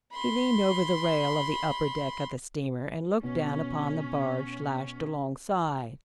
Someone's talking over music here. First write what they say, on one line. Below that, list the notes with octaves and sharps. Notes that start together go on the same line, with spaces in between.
He leaned over the rail of the upper deck of the steamer and looked down upon the barge lashed alongside.
B5 C6
B2 C#4